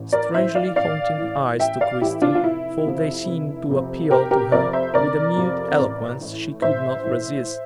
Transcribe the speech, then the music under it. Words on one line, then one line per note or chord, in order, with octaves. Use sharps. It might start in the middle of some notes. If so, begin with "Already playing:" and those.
Strangely haunting eyes to Christie, for they seemed to appeal to her with a mute eloquence she could not resist.
Already playing: A1
A#4 D5
A2 E3 C5 E5
D5 F5
A1 D5 F5
A2 E3
A1 E5 G5
D5 F5
A2 E3 E4 G4
D4 F4
F4
F1 E4
F2 C3 F3
F1
F2 C3 F3
F1 G4 A#4
G4 A#4
F2 C3 F3 A#4 D5
C5 E5
F1 A#4 D5
F2 C3 F3
A1
A2 E3
A1 C5 E5
A2 E3